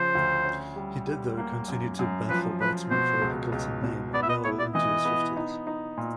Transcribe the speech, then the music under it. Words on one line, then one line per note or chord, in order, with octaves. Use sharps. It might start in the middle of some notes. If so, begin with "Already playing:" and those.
He did, though, continue to baffle batsmen for Hickleton Main well into his fifties.
Already playing: C#3 F3 C5
D2
C#4
G3
G3
A#3
F#2
F#2
F3 B4
F3 B4
B2 C5
C#2
C#2
B2
B3 D5
E5
D#5
E4 C#5
D5
E3 D#5
B3
D#4
D#4
A#2